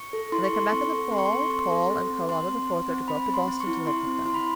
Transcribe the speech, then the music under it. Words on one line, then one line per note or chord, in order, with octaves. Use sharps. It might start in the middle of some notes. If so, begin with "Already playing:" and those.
When they come back in the fall Paul and Charlotta the Fourth are to go up to Boston to live with them.
Already playing: C#6
A4
E4 C6
C#6
A4 C6
C4 C#6
A4
C4 C6
C#6
C6
A4 C#6
C6
C4 C6
A4
C4
C4
C4 C6
C4
C4
C4
C4 B5
C4
C6
C4
C#6
E4
E4 C6
C4
E4 C6
B5